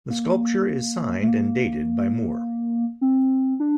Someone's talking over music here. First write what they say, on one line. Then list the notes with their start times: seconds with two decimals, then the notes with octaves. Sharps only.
The sculpture is signed and dated by Moore.
0.10 A#3
1.23 A3
1.28 A#3
3.01 C4
3.60 D4